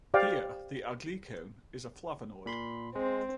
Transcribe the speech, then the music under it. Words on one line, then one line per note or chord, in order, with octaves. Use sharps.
Here, the aglycone is a flavonoid.
G4 C5 D5 F5 G5 D6
A#2 B5 C6
G#3 C4